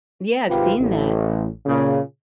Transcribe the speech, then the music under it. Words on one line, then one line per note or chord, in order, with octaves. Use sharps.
Yeah, I've seen that.
G#1 C3 F4 G4 B4
A1
A#2 C#3